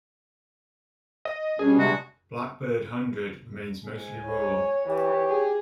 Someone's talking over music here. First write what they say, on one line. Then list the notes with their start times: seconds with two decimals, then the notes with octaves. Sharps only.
Blackbird Hundred remains mostly rural.
1.25 D#5
1.59 B2 G3 C#4 D4 G#4
1.79 C3 G#3 F#4
3.84 G#2 G#5
4.26 G#2 C#5
4.89 E3 G4 C#5
5.28 G#4